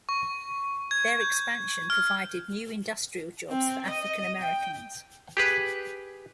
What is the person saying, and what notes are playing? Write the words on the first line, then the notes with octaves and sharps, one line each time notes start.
Their expansion provided new industrial jobs for African Americans.
C#6
G#6
G6
F6
C4
D#5
G5
G4 G#4 B4